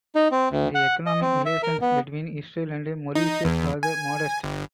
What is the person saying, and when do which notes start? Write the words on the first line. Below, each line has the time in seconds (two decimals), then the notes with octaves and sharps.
The economic relations between Israel and Mauritius are modest.
0.15 D#4
0.31 C4
0.51 D2
0.75 F#5
1.06 D#5
1.21 C4
1.46 E5
1.63 A#4
1.82 B3
3.15 D#4
3.45 E2
3.83 G#5
4.44 G1